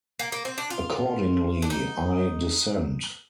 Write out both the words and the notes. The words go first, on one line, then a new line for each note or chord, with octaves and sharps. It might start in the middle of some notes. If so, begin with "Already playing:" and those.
Accordingly, I dissent.
A#3
A#3
C4
D4
F4
D4
D#4